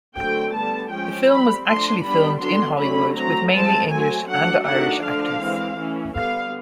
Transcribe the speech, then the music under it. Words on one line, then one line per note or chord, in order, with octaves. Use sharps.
The film was actually filmed in Hollywood with mainly English and Irish actors.
D3 F#3 A3 C4 G5
D3 G3 B3 A5
F3 G#3 C#4 G5
G3 C4 B5
F3 A3 D4 C6
G3 B3 D4 B5
D3 F#3 B3 D4 C6
D3 F#3 A3 C#4 B5
F#3 A3 C4 A#5
F3 G#3 C4 A5
F#3 A3 C4 G#5
F#3 A3 D4 F#5
D#3 F#3 A3 D4 F#5
D3 F3 A3 D4 F5
E3 G#3 C4
E3 A3 C#4
D3 G3 B3 F5